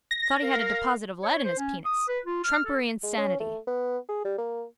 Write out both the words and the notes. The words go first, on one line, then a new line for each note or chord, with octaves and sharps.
Thought he had a deposit of lead in his penis. Trumpery insanity.
A#6
A#4 F5
C#5
C5
C#4
D#6
B4
F4
F6
A4
G#3
C#4
A3
B3
G#4
G3
A#3